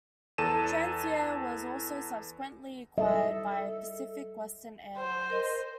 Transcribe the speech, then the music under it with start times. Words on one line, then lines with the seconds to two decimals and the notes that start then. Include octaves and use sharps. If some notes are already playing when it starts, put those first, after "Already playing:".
Transair was also subsequently acquired by Pacific Western Airlines.
0.38 E2 A4 A5 D#7 E7
2.98 G3 A4 D#5 E5
4.97 C5
5.30 A#4 D#5